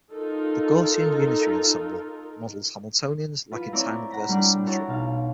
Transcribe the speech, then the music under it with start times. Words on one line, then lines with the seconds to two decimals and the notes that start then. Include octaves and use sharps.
The Gaussian unitary ensemble models Hamiltonians lacking time-reversal symmetry.
0.10 D#4 F4 A4 A#4
3.52 F4 B4
3.72 A3 C4 E4 A#4 C#5 D5
4.10 F#5 A#5 B5
4.29 G3 A3 D4 D5
4.66 E4 F#4 A#4 C#5 F#5 A5
4.88 B1 F5